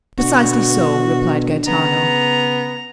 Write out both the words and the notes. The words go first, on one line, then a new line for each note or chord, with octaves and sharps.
"Precisely so," replied Gaetano.
B2 D3 F#4
C#3 B3 A#5